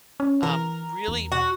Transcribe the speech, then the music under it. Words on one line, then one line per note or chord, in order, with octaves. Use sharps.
um, really
C#4
E3 A#4
E2
F#4